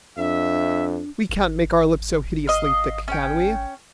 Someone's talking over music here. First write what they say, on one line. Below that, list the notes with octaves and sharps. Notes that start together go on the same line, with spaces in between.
We can't make our lips so hideously thick, can we?
F2 D4 E5
G#1
D#5 F5
C#4 G5